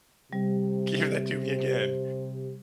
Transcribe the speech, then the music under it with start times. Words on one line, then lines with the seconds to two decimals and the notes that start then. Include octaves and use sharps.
give that to me again.
0.33 C3 G3